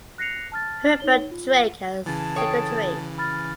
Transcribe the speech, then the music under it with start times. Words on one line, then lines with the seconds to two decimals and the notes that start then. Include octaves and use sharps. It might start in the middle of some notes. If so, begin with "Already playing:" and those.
Herbert Drake as secretary.
0.18 F#6 A#6 C7 C#7 F7
0.52 A5 F6 A6
1.00 D#4 C#5 G7
1.31 F4
2.06 C#3 E3 G#4 A5
2.36 A4 C#5 G5 D#6
3.18 B5 F6 A6